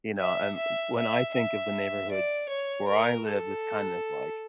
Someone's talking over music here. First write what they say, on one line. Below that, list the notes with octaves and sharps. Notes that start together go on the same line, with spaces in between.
You know, and when I think of the neighborhoods where I live, it's kind of like,
E5
E5
E5
E5
D5
C#5
A#4
A4